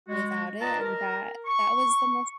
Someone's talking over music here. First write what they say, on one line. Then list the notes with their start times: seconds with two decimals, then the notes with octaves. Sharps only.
without it, and that that was the most
0.08 G#3 F#4
0.60 F4 B4 D5 D#5 A5 A#5
0.80 A#4
1.46 C#6